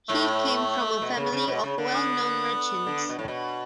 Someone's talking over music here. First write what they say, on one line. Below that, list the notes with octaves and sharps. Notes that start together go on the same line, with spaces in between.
He came from a family of well known merchants.
A2 A3
B2
C#3
C#3
B2
C#3
D3
B3
D3
B2
A2
B2